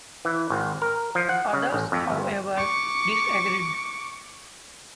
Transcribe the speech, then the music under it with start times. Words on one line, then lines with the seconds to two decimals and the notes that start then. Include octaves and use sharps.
Others, however, disagreed.
0.25 E3
0.50 G#1
0.82 A#4
1.15 F3
1.29 F#5
1.53 C#3
1.72 A1
1.92 F2
2.10 G1
2.57 C#6 D6